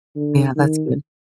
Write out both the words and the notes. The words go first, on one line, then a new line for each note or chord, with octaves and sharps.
Yeah, that's good.
D3
D#3